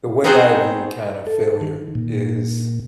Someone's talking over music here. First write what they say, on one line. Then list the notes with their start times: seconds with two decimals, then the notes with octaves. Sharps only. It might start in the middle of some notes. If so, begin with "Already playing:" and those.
The way I view, kind of, failure is
0.24 B3 C4 D#4 F#4 G#4 C5
1.27 A4
1.61 D#3
1.95 A#2